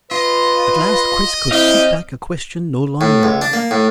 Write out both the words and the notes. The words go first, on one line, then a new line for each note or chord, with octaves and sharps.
At last Chris could keep back a question no longer.
F4 B4 D#5
C4 E4 G4 D#5 F5
A2
C#2
D4
A#3
A2